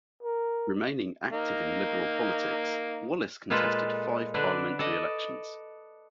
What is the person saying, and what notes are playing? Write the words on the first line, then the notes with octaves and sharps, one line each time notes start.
Remaining active in Liberal politics, Wallace contested five parliamentary elections.
A#4
A#3 D#4
A#2 G#3 F4 A4 B4
D3 D4 B4 D5
A4 D5 D#5